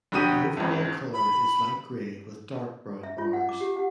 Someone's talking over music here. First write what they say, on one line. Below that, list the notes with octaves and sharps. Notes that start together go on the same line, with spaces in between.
The overall colour is light grey with dark brown bars.
F1 D3 F#4 G4 D#6 D#7
G#1 C#2
B5
E5
F4
F#5
D6
G4
F#5